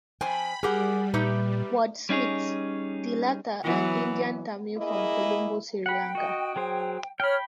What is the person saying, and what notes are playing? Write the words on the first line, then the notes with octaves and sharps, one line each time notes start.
Wordsmith, the latter an Indian Tamil from Colombo, Sri Lanka.
F2 C5 G5 G#5 B5
G3 G4 G#4 A#4 F#5
A#2 D#4 G4 B4 E5
G3 C#4 D#4 G#4 C#5
E3 F#3 B3
A#3 E4 G#4 D#5
F#5 G5 B5
F#4 D#5
F#3 G#4 C5
C#5 G5 B5 F6